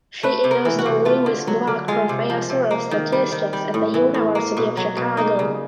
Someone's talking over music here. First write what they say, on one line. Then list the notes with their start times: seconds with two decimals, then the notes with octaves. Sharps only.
She is the Louis Block Professor of statistics at the University of Chicago.
0.23 A3 B4
0.44 C3
0.51 A#4
0.65 E3
0.79 F#4
0.86 C3
1.05 A3 F4
1.26 D3
1.47 F#3
1.67 D3
1.88 G#3 F4
2.09 C3
2.30 F3
2.49 C3
2.71 A#3
2.91 D#3
3.12 G3
3.32 D#3
3.53 G3
3.74 A2
3.94 E3
4.14 A2
4.35 A#3
4.57 B2
4.77 F#3
4.97 B2
5.17 A#3 D#4
5.39 C#3